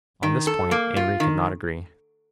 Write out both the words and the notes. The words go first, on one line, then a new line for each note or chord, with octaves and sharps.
On this point Amory could not agree.
D#3
A4
A#3
F4
D#3